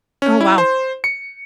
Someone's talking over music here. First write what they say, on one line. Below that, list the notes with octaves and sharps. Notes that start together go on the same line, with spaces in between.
Oh, wow.
C#4
E4
C5
C#7